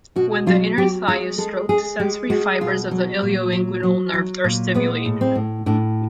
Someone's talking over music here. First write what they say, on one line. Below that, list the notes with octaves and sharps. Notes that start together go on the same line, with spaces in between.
When the inner thigh is stroked, sensory fibers of the ilioinguinal nerve are stimulated.
B2 F#4
F#3 F4
F#3 G4
G#3 F4
G#3 A4
G#3 G#4
G#3 G4
G#3 F#4
B2 F4
F#3
A#2
F#3
F#3
F#3
A#2
G#3 B3
A2
C4
A2
A2 D4